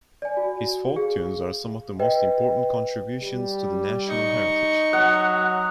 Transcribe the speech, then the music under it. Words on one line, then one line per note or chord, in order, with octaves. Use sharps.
His folk tunes are some of the most important contributions to the national heritage.
D5 G#5
F#4
G#4 F5
B4 D#5 G5
G3
D#4 C#6
F#3 F#5 D#6